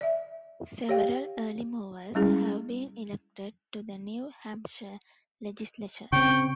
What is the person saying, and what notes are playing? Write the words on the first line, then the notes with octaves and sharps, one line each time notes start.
Several early movers have been elected to the New Hampshire legislature.
D5 E5
G4 C#5 D5 F5 G5
G3 G#3 C#4 E4 G#4
C#3 C4 G5 C#6